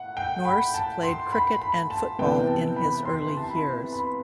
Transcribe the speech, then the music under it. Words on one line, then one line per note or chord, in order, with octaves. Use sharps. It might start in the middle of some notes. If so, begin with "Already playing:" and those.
Nourse played cricket and football in his early years.
Already playing: A2 F#5
G5
B5
A5
C6
B5
B5
A5
C3 E3 B3 G5
A5
B5
C6
A5
B5
B5